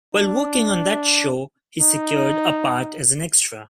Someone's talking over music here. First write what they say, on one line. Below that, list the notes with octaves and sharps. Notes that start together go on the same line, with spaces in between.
While working on that show, he secured a part as an extra.
D4
D#4